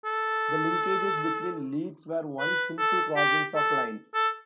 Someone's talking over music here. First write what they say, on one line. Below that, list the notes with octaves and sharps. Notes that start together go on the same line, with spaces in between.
The linkages between leads were once simple crossings of lines.
A4
B4
A4
G4
A4
A4